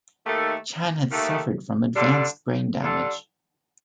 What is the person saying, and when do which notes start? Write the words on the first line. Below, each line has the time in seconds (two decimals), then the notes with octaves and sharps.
Chan had suffered from advanced brain damage.
0.24 D#2 D#3 A3
1.10 D#2 D#3 A3
1.95 D3 G3 D4 F4 A4
2.81 D3 G3 D4 F4 A4